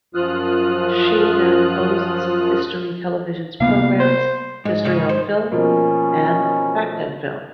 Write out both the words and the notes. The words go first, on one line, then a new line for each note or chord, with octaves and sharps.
She now hosts History Television's programs "History on Film" and "Fact and Film".
F#2 F3 F4 D#6 F6 F#6
C3 A#3 B3 F5
C5
G#2 G#3
C#3 D#4 G#4
C5
B2 F3 A#3 C#4